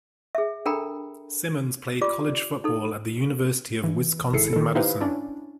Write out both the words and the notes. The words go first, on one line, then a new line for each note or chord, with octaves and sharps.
Simmons played college football at the University of Wisconsin-Madison.
G#4 E5
D4 A4 A#4 G5 A#5 B5
F4 G4 D5 D6
D#4 A4
E3
G#1 E4 G#4 A4 C7 C#7
D#3 A4
D#4 E4 G4 B4 C5 F5
C#4 D4 E4